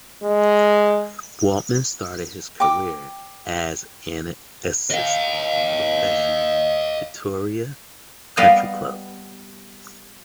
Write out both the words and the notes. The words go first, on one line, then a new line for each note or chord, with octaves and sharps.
Waltman started his career as an assistant professional Pretoria Country Club.
G#3
G5 D6
D#5 F5
G3 B3 D#5 F5